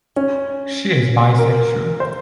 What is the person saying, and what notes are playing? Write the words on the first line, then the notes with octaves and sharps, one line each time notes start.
She is bisexual.
C#4
A#4
C5